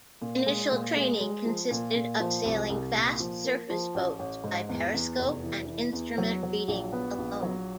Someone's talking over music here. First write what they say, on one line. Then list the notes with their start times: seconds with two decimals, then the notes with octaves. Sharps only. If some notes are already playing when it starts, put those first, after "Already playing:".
Initial training consisted of sailing fast surface boats by periscope and instrument readings alone.
0.21 A#2
0.46 G#3
0.71 A#2
0.96 G#3
1.20 G#3
1.46 F3
1.70 A#2
1.95 A#2
2.20 F3
2.45 C2
2.70 C2
2.95 A#2
3.20 F3
3.44 A#3
3.70 F3
3.94 A1
4.19 A1
4.44 G#2
4.69 E2
4.94 E2
5.19 F1
5.43 E3
5.68 E3
5.93 E2
6.18 F#3
6.43 F#3
6.68 A#1
6.93 B3
7.18 A#1
7.43 F#3